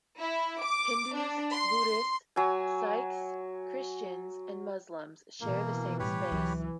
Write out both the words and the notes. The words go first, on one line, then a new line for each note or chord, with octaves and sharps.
Hindus, Buddhists, Sikhs, Christians, and Muslims share the same space.
E4
D6
D4
C6
F#3 G#5
B2 E3 A#3
A2 G3 G4 B4 C#5
C#2 E3 F#3